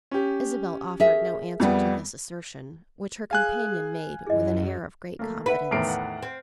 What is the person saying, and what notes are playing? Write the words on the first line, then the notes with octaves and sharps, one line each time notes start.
Isabel offered no answer to this assertion, which her companion made with an air of great confidence.
C#4 G4
G#4 A#4 E5
F2 G3 B3
G#4 F5 G#5 F#6
F#2 E4 G#4 D#5
A3 A#3
B4 E5 F#5 B5
E2 A2 D#3 F6 C7 D7
F#5
C4